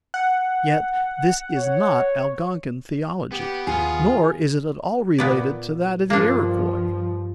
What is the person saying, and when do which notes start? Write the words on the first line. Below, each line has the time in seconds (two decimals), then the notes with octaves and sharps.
Yet this is not Algonkin theology; nor is it at all related to that of the Iroquois.
0.14 F#5
1.56 C#5
3.32 B3 G4
3.67 D#2 F4 G#4 F6
5.18 A#2 B3 D5
6.10 G2 F3 A#3 D4